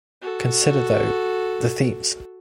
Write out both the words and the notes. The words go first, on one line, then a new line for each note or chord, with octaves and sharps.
Consider though, the themes.
F#4 A4